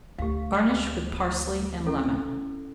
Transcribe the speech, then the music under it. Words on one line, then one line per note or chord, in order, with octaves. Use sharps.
Garnish with parsley and lemon.
D2 G4 F5
C#4 E4 A4